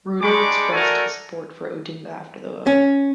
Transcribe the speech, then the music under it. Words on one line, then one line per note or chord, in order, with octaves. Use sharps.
Ruto expressed his support for Odinga after the vote.
G#3 D4 G4 B5 C#6 D6
A3 F#4 A4 A#4 D5 G#5
C#4